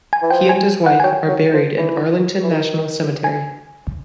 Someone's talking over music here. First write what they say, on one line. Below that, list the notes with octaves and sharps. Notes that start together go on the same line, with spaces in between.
He and his wife are buried in Arlington National Cemetery.
G#5
E3
F3 G5
G#5
F#5
G#5
F#3 G5
F#3
F3
E3
E3
D#3
G#5